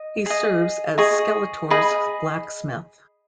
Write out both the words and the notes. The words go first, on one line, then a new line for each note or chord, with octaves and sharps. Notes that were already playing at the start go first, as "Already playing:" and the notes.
He serves as Skeletor's blacksmith.
Already playing: D#5
G#4 D#5
G#4 D#5 C#6
G#4 D#5 B5